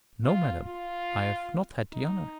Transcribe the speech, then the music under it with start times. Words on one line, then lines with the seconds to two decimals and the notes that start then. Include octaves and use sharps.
"No, madam, I have not had the honor."
0.24 F4
0.66 F4
1.93 D#4